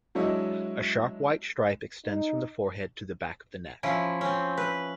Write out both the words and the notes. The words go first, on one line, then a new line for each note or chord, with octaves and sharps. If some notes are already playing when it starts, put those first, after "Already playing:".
A sharp white stripe extends from the forehead to the back of the neck.
F#3 G#3 D4 E4 C#5 D#5
D#4
F3 C#4 E4
C4 C#4
B4